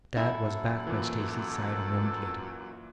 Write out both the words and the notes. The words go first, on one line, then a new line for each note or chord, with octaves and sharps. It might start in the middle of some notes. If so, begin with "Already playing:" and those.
Tad was back by Stacy's side a moment later.
F#2 E4 A4
A#2 E3